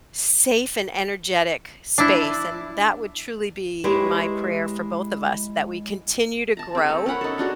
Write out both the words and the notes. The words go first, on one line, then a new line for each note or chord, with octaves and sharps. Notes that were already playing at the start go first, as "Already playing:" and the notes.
safe and energetic space and that would truly be my prayer for both of us that we continue to grow,
D4 E4
G#3 E4 G4 B4 C#5
A5 A#5
C4 G#4
A3
C#4 A#4 F#5 B5
D#4 A4
C#4 D4 F#4 G#4